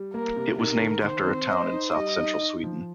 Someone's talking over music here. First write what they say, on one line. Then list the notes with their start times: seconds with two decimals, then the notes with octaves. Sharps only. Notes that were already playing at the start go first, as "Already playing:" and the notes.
It was named after a town in south-central Sweden.
Already playing: G3
0.14 A#3 A#4
0.36 C3
0.59 D#4 A#4
0.82 D#3
1.04 D#3 C5
1.27 C4
1.50 D#5
1.72 D#4
1.95 G3 D#5
2.18 D#4
2.40 D#4
2.63 F3